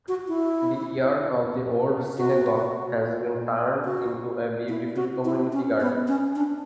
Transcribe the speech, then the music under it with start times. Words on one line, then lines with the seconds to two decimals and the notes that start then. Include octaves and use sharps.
The yard of the old synagogue has been turned into a beautiful community garden.
0.08 F#4
0.28 E4
2.18 F#4
3.85 F#4
4.69 E4
4.96 F#4
5.25 E4
5.53 C#4
5.80 B3
6.08 C#4
6.35 D4